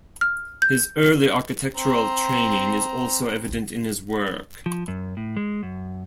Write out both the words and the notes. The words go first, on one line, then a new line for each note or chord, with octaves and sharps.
His early architectural training is also evident in his work.
F6
G6
C4 A#5
F3
F#2
A2
G#3
F#2